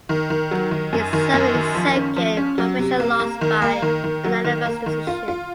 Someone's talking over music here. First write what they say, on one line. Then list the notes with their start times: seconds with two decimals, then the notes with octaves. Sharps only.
He suffered his second professional loss by unanimous decision.
0.09 D#3
0.30 D#3
0.51 F#3
0.71 D#3
0.93 F#2
1.13 D#3
1.34 F#2
1.55 D#3
1.75 F3
1.96 C#4
2.16 F3
2.37 C#4
2.58 F#3
2.79 C3
3.00 A#3
3.20 A#3
3.41 D#3
3.62 A#3
3.82 D#3
4.04 D#3
4.24 F#3
4.45 D#3
4.65 A#3
4.86 D#3
5.07 F4
5.28 F4